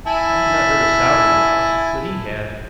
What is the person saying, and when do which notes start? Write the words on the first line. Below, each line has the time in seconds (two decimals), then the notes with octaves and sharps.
I had not heard a sound in the house, but he had.
0.07 E4 G#5 A5